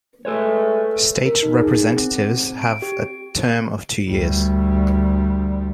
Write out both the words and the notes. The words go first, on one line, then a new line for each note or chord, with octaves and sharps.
State Representatives have a term of two years.
G#3 A3 A4 B4 C#5
A#4
D#4
G#4
C4
D7
G4
D2 G3